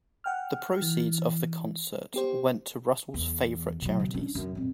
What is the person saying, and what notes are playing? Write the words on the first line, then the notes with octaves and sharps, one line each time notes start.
The proceeds of the concert went to Russell's favourite charities.
F#5 G5 F6
E3
B3 G4 C5
E2
B2 F#3
B2 E3
C#4 D4
F#2
F2 A#2